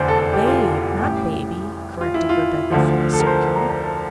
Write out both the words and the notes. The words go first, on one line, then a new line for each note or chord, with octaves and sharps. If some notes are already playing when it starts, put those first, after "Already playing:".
"BABE, not baby," corrected Rebecca from the circular.
Already playing: F1 E2 D3 C5 D5
A4
A4
G4
F4
A1 A2 G3 G4
F4
E4
F4
D2 D3 F3
A4
A#4
C5
A#5
A#5
A5